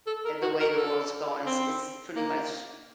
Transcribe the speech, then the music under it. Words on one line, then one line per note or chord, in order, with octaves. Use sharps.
eh, the way the world's going, it's it's pretty much
A4
A#4
F#4
A#4
A4
C4
A#3